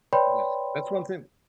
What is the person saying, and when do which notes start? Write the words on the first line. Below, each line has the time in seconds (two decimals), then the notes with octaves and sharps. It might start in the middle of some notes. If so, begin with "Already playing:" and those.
yeah, that's one thing
0.13 B4 C#5 D5 G5 B5 C6